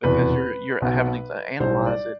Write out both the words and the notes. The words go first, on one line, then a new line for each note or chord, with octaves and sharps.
because you're you're having it to analyze it
F1 E2 B2 B4
B1 B2 B3
B1 A2 G3 C5
D5